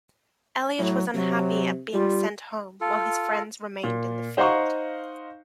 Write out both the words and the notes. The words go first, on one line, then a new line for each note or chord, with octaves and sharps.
Elliott was unhappy at being sent home while his friends remained in the field.
A2 F#3
C3 F#3
G3 F4
F4 A4
A#2
D#4 C5 F5 F#5 A#5 C#6